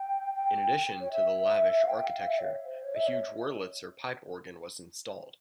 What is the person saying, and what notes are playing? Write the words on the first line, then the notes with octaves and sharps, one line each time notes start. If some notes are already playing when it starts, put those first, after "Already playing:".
In addition to the lavish architecture, a huge Wurlitzer pipe organ was installed.
Already playing: G5
G5
C#5
E5
F5
G5
F5
E5
C#5
C5
C#5
E5
C#5